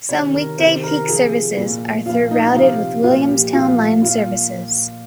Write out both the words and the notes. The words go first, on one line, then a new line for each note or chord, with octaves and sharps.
Some weekday peak services are through-routed with Williamstown line services.
C3 D#3 C#5
A#4
C3 D#3 C5
A#4
C3 F3 G#4
A#2 F3
A#2 F3 F4
D#4
D#4
C3 F3 F4
A#2 F3 F4
G4
A#2 F3 F4
A#2 F3 F4